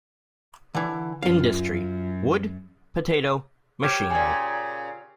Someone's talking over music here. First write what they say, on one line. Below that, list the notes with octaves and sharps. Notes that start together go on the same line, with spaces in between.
Industry: Wood, potato, machinery.
D3 E3
F#2 F4 F5
G4 A#4 C#5 F6 E7
A#2 C#3 G#5 G#6